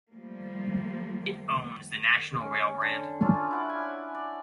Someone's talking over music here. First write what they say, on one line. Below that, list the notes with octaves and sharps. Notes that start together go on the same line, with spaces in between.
It owns the National Rail brand.
F3 G3 A3 A#3
C#4
D3
C#4 D4 F4 A4
E4 F#5 D6
G#5
D5